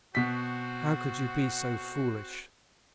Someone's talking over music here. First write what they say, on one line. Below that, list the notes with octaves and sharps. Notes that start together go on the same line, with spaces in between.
"How could you be so foolish?"
B2 C4 F#4 B6